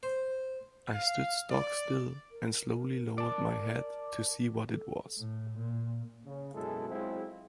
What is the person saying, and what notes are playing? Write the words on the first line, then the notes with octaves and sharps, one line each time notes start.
I stood stock-still and slowly lowered my head to see what it was.
C5
F5
D5
A#4
D5 A5
A4
A2
A#2
C#3
F#2 B2 G#3 E4 G#4 A4
F#3 G#3 C4 E4 F4 G#4